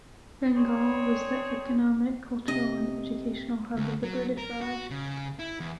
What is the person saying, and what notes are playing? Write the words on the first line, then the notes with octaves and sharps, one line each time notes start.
Bengal was the economic, cultural and educational hub of the British Raj.
C4 D4 G#4 C#5
C3 D#5
D2
F#3
A#4
F#4
C#3
E4
E2